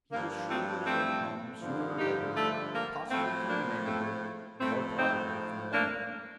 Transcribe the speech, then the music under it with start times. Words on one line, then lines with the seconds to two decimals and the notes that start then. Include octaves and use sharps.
He was sure that it would come sooner or later, possibly from the neighbourhood, more probably from London.
0.11 G2 F3 A#3
0.49 A3 C4
0.85 A3 C4
1.61 G2 D3 F3
1.98 D#4 G4
2.36 A3
2.73 A#3
3.10 A2 F3 A3 C4
3.48 A#3 D4
3.85 A3 C4
4.59 A2 F3 A3 C4
4.97 C4 D#4
5.72 A#3 D4